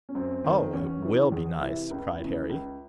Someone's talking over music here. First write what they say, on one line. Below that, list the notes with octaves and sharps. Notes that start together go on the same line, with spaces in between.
"Oh! it will be nice!" cried Harry.
C#4
F#2 C4
D#3
E2 C#4
C3 E3
E2 G#4
C3 E3 E5
C#2
C#3 E3
C#2